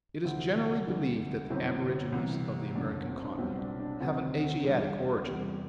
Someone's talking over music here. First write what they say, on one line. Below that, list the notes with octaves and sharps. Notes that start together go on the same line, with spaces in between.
It is generally believed that the Aborigines of the American continent have an Asiatic origin.
D2 C3 E3 C4 E4
D2 D3 G3
G1 F#2 F#3 C4 E4
C2 C3 E3 G3
F#1 F#2 F#3 D4
D4
C4
D4
B1 B2 G3 C4
D4
D4
D2 C3 F#3 C4
E2 D3 G3 D4
E2 C3 G3